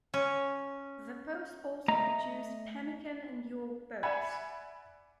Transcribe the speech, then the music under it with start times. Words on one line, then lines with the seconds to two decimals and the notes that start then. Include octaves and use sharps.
The post also produced pemmican and York boats.
0.14 C#4
1.88 A3 D#5 A#5
4.03 D5 E5 F#5 G#5 B5 G#6